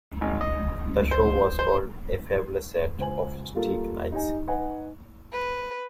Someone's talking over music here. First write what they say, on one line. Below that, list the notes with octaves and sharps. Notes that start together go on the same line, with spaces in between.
The show was called "A Fabulous Set of Steak Knives".
G#1
D#5
C5
C5
C#2 C5 G#5 F#7
G3 A#3 F4 A4 A#4
D#4 G4 D#5 G#5
D#4 B4 D#5 F#5 G#5
B4